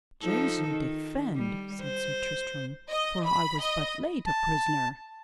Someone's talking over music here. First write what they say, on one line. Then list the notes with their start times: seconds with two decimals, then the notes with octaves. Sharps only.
Jesu defend! said Sir Tristram, for I was but late a prisoner.
0.23 F3 D#4 A4
0.68 D#3
1.36 G3
1.82 C5
2.89 D#5
3.24 B5
3.61 D#5
4.26 A5